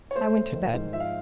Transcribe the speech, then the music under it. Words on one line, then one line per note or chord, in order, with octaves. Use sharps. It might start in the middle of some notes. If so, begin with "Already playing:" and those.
I went to bed.
C#5
A3 C5
A3
D#3
G#2
F3 E5
F5